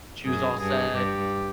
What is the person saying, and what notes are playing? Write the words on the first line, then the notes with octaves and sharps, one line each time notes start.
she was all sad,
F#2 G#4
G2 G#4
G2 G4